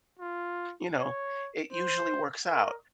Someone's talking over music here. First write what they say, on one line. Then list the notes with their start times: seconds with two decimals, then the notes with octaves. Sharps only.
you know, it usually works out.
0.19 F4
0.96 C#5
1.72 C5
2.48 A#4